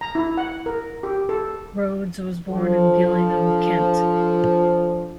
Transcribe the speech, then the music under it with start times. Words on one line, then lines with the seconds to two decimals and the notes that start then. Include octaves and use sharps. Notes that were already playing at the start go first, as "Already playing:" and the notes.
Rhodes was born in Gillingham, Kent.
0.01 A#5
0.15 E4
0.37 F#5
0.66 A#4
1.03 G4
1.29 A4
2.48 F3 D4 A4